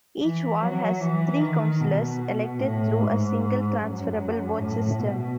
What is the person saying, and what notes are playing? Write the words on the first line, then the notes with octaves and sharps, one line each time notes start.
Each Ward has three councillors elected through a single transferable vote system.
E3
F#3
E3
D#3
B2
A2
G#2
F#2
A2
B2